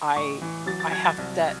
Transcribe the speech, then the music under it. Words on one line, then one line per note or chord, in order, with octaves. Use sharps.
I I have that
A1 C#6
E3
F#3 A6
A6
F#3 G#6
A6
C2